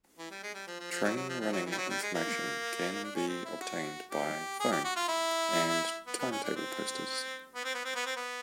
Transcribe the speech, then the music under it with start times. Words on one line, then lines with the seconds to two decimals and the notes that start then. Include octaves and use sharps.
Train running information can be obtained by phone and timetable posters.
0.18 E3
0.31 G3
0.43 G#3
0.54 G3
0.67 F3
0.79 F3
0.91 F3
1.04 F#3
1.16 F#3
1.29 F3
1.40 F3
1.52 F#3
1.66 E3
1.72 G3
1.77 F#3
1.89 G3
2.02 G#3
2.14 A#3
3.04 D4
3.16 C#4
3.28 C4
3.45 E4
3.61 F#4
4.11 G4
4.60 G#4
4.72 G4
4.84 F#4
4.96 F4
5.08 E4
6.07 B3
6.19 B3
6.32 C#4
6.44 D4
6.56 C4
7.55 B3
7.65 C4
7.74 B3
7.85 C4
7.95 B3
8.06 C4
8.16 B3